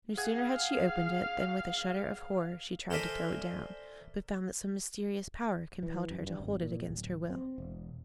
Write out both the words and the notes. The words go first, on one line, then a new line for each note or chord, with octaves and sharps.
No sooner had she opened it than with a shudder of horror she tried to throw it down, but found that some mysterious power compelled her to hold it against her will.
G#4 F5 F#5 G#6
A4 A#4 C5 D5 E5 G#5
E3
F#2
G2
G#1
A#2
D1
C4
E1